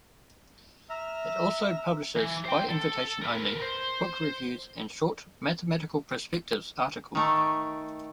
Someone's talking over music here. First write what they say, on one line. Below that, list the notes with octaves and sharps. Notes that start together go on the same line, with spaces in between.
It also publishes, by invitation only, book reviews and short "Mathematical Perspectives" articles.
E5 A#5 F6
E3
C5 G5
A4
A#4 B4
C5
D#3 A3